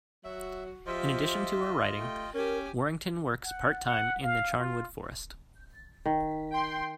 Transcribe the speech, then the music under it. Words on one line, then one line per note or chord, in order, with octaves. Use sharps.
In addition to her writing, Warrington works part-time in the Charnwood Forest.
F#3 F#4 E5
F3 F4 G4 D#5 E5
A3 G5
C#4 G4 A#4 G#5
F#5
F#5
F5
F4
D#3
G5 C6